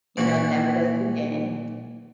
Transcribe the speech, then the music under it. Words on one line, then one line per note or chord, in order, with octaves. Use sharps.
you know, never does it again.
A#2 E3 F#4